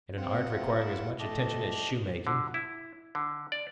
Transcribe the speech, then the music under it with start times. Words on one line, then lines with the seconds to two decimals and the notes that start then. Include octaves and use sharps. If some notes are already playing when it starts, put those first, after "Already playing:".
And an art requiring as much attention as shoemaking?
0.17 C4 F4 F#5
0.46 C3
0.76 E4
1.19 A3 D4 G4 D#5
2.27 D3
2.54 E4
3.15 D3
3.52 D5